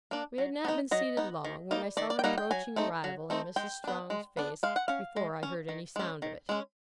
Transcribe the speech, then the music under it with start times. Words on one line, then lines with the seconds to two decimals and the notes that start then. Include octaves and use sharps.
We had not been seated long, when I saw an approaching arrival in Mrs. Strong's face, before I heard any sound of it.
0.11 A#3 D4
0.38 F#3
0.65 B3 D#4
0.91 F#3 D#5
1.17 B3 D#4
1.45 D#3
1.71 G3 A#3 D#4
1.97 D#3 D5
2.10 D5
2.19 G5
2.24 G3 A#3 D#4 F#5
2.38 G5
2.51 F#3 G#5
2.76 A3 C4 D#4
3.04 F#3
3.30 A3 C4 D#4
3.56 G#3 G5
3.84 B3 D4
4.10 G#3
4.37 B3 D4
4.63 G#3 F5
4.76 F#5
4.88 C#4 F5
5.16 G#3
5.43 C#4
5.69 D#3
5.96 G#3 C#4
6.22 D#3
6.49 G#3 C#4